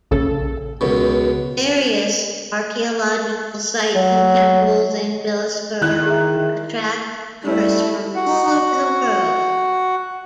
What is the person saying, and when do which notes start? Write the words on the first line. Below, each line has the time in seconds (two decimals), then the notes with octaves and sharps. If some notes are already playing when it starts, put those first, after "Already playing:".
Various archaeological sites and temples in Bilaspur attract tourists from all over the world.
0.11 A#1 C#3 A4
0.81 C#2 F#2 B2
3.96 F#3
5.82 D#3 E4 F#6
6.06 G#4 E5
7.44 G3 A3 E4
8.15 F#4 F#5